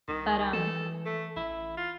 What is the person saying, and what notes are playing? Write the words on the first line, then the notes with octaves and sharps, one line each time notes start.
But, um,
C2 D#3
E3 A4
A3
A1 E4
F4